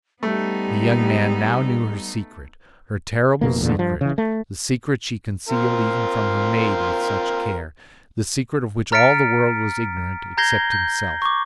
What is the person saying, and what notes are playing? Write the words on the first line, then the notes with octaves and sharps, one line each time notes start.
The young man now knew her secret, her terrible secret--the secret she concealed even from her maid with such care, the secret of which all the world was ignorant, except himself.
G3 A3 B3 D#4
F1 B2 A#3
E2 A#2 D3
G2 F3
C#3 E3
A3
C4 F4 A#4
A#5 F6 A6 B6 C#7 D7
A#5 G6 G#6 A#6 C7 G7
G6
C#6 D6